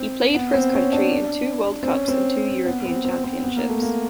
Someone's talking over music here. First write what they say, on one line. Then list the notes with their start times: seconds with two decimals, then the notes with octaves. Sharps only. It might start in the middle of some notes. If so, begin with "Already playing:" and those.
He played for his country in two World Cups and two European Championships.
Already playing: C4
0.34 B3
0.54 C4
0.73 C#4
0.93 D4
1.83 C4
1.89 C#4
2.08 C4
2.66 B3
2.85 C4
3.05 C4
3.24 C4
3.44 B3
3.56 A#3
3.69 A3
3.82 A#3